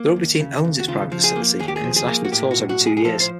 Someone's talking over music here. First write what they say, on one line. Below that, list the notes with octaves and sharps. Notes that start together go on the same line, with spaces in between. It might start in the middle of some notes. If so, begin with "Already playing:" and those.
The rugby team owns its private facility and internationally tours every two years.
Already playing: A#3
D#2
C#3
D#2
F#4
C#3 F4
F3
G#4
A#3
D#2 G#4
G4
G#4
F3
G#4
A#3
F#4
A2 G4
F#4
B1
F#4
A2
G#4
G#4
F3 A4
C5